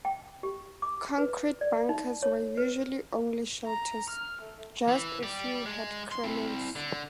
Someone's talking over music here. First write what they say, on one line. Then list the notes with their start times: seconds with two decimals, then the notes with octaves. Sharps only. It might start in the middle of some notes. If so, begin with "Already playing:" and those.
Concrete bunkers were usually only shelters; just a few had crenels.
0.05 G5
0.43 G4
0.82 D6
1.18 B4
1.61 D5
1.89 D#4
2.23 C#5
2.57 B4
3.66 A#5
4.10 F6
4.41 A3
4.88 E3
5.23 G4 D5
5.66 G#3
6.12 C6
6.24 C4 E4
6.76 D3